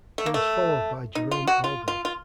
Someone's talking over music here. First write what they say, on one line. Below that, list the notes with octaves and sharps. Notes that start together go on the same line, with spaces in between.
He was followed by Jerome Alden.
A3
A#3
A3
D#4
F4
F#4
F4
F4
F4